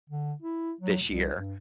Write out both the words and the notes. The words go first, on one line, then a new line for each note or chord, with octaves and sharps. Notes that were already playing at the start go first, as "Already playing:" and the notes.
this year,
D3
E4
F#3
C2
G2